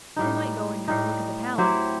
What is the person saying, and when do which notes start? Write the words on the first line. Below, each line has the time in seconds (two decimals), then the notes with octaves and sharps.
'We might go and have a look at the Palace.'
0.16 A2 G3 D#4
0.88 A2 G3 D#4
1.58 F#3 C4 E4 G4